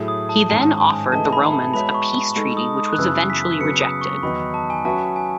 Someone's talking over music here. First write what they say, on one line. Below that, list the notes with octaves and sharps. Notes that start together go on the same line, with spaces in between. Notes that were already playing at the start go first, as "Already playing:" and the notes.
He then offered the Romans a peace treaty which was eventually rejected.
Already playing: A2 F#3 A3 E4 G#4
D#6
A5
G#2 D#3 G#3 C#4 A5
G#5
E3 A3 D#4 G#4 D#5 A5
B5
A5
G#3 B3 F#4 C#5 E5 B5
C#6
G#3 D#4 A4 C#6
D#6
D#6
F#6
F#2 C#3 E3 B3 E6
B6
C#3 F#3 B3 C#7
D#6
C#6
E2 D#3 F#3 B3 D#4 B5
A5
G#5
F#3 C#4 F#4 B4 E5 A5
G#5